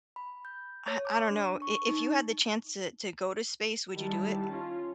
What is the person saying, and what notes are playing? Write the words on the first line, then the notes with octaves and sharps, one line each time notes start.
I I don't know, i if you had the chance to to go to space, would you do it?
B5
G6
C#5
D6
D4
C#6
D#4
D#3 G3 E4 A5
C#4 F4